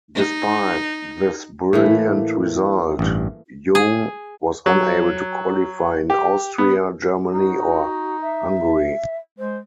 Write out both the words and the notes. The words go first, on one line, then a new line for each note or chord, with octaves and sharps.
Despite this brilliant result, Yoong was unable to qualify in Austria, Germany or Hungary.
D#4
A2 E3 A3 A#3
A1 G2
G#4
F#3
G4
B3
D#4 F#4
E5
G#3 C5